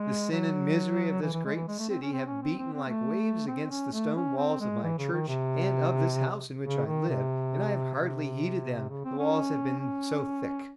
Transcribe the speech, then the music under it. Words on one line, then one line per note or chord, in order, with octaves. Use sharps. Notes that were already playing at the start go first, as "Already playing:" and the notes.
The sin and misery of this great city have beaten like waves against the stone walls of my church and of this house in which I live, and I have hardly heeded them, the walls have been so thick.
Already playing: G#3
F#3
E3
E3
G#3
E3
G#3
A3
C4
C#4
C4
C#4
C4
C4
C4
A3
C4
C#4
A3
C#4
C4
G#3
E3
C#3
D#3
C3
C#3
D#3
C3
C3
C#3
C4
C#4
C#4